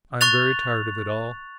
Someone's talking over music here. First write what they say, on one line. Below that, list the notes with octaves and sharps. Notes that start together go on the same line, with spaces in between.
I am very tired of it all....
C#6 F#6 A6 F7